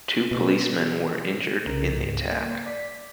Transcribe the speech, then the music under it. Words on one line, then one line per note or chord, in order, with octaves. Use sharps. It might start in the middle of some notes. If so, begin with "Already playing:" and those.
Two policemen were injured in the attack.
B2
C2 C#3 A#4
C#2 G#2
A#3
D5 B6